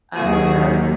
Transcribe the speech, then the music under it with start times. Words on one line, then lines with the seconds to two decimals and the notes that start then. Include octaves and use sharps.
I love her.
0.16 D#2 D#3 F#3 A#3 F#4 G#4